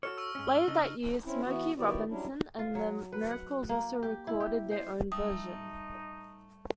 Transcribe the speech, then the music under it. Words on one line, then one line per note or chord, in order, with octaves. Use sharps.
Later that year, Smokey Robinson and the Miracles also recorded their own version.
F#4 A4 C#5 F6
C#6 E6
G#2 C#4
G7
C#3 D4 D#4
C4 C#4 E4
E3 B3 F#4
D#3 B3 E4 F#4 G4 D5
F#3 G3 C#4 D4 E4
F4
F#3
B4
F#5
A#3
G4
E4
G4
C5
G3 A3 D#4 D#6